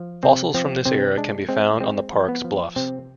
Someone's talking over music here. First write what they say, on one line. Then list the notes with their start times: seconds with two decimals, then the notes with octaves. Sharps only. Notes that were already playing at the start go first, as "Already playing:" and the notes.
Fossils from this era can be found on the parks bluffs.
Already playing: F3
0.23 C3 C4
0.54 F3 C4
0.85 C3 C4
1.18 G#3 D4
1.49 G#3 C4
1.81 G#3 C4
2.13 F3
2.29 B3
2.44 F3
2.76 C3 C4